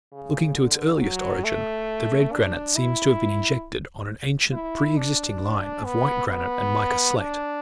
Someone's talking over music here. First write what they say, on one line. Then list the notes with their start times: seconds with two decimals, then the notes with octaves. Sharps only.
Looking to its earliest origin, the red granite seems to have been injected on an ancient pre-existing line of white granite and mica-slate.
0.12 C#3
0.56 D3
0.99 F#3
1.44 A3
2.32 D4
2.76 E4
4.52 E4
4.97 D4
5.84 B3
6.28 B3
7.17 D4